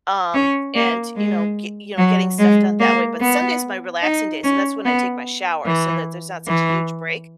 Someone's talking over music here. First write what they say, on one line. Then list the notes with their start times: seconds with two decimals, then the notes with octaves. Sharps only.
um, and, you know, ge you know, getting stuff done that way, but Sunday's my relaxing day, so that's when I take my showers so that there's not such a huge break.
0.34 C#4
0.76 A#3
1.16 G#3
1.98 F#3
2.39 G#3
2.80 A#3
3.21 B3
4.02 D#4
4.44 C#4
4.85 B3
5.66 E3
6.48 E3